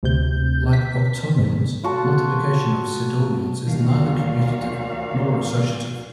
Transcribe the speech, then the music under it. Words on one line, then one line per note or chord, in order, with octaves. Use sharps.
Like octonions, multiplication of sedenions is neither commutative nor associative.
D2 C3 G6
B6
G#2
F4 F#4 A4
D#2 A#2 D#3 E3 G3 F#4 F5